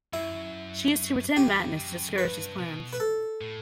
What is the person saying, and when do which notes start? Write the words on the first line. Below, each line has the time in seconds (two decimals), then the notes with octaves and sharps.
She is to pretend madness to discourage these plans.
0.13 F#2 E4
1.37 E2 G4
1.77 F#2
2.18 G2 B4
2.59 B2
2.93 B4
3.00 A4
3.41 A2